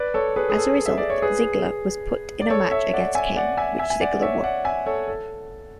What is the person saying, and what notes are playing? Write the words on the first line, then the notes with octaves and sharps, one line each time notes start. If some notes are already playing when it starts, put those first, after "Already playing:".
As a result, Ziggler was put in a match against Kane, which Ziggler won.
Already playing: B4 D5
A4 C#5
G#4 B4
G#4
A4
E5
D5
C#5
G#4 B4
D5
A4 C#5
C#5 E5
D5 F#5
E5 G#5
D5 F#5
E5 G#5
E5 G#5
G#5
D5 F#5
C#5 E5
D5 F#5
E5 G#5
A4 C#5
A4